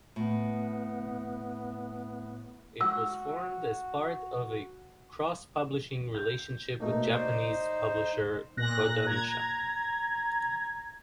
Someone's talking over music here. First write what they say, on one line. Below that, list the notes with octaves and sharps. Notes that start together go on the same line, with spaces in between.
It was formed as part of a cross-publishing relationship with Japanese publisher Kodansha.
A2 B3
F#4 E6
G6
B2 A3 A#3 D#4
D#4 C5 D5
A#2 F#6 A#6
A#5 G#6